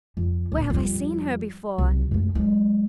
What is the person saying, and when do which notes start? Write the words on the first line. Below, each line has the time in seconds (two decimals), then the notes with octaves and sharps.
Where have I seen her before?
0.17 F2
0.52 D1 A#2
0.70 F2 G3
1.78 C2 F#3
2.11 F#2 A3
2.35 F#3 G#3